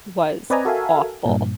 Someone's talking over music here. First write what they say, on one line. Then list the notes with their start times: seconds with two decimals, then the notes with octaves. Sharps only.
was awful,"
0.50 C4 B4 D5 D#5 G#5 A#5
0.65 F#4 A4 A#4 E5 F5 G#5
1.26 G2 A#2